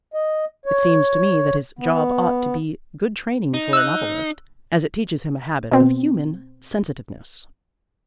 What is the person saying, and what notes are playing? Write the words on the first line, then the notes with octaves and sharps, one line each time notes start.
It seems to me that his job ought to be good training for a novelist, as it teaches him a habit of human sensitiveness.
D#5
C#5
B3
D#4
E6 F#6
B2 C4